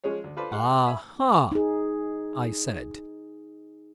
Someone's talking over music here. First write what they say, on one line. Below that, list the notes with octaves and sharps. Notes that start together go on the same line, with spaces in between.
"A-ha!" I said.
F3 G#3 C#4 G#4 C#5
D2
F4 A4 B4 C5 D5
G#3 F5 F#5
E5 G#5 B5
D#4 G#4